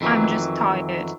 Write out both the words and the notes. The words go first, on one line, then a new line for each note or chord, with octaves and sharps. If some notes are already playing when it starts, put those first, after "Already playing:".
I'm just tired.
F2 D#3 E3 F#3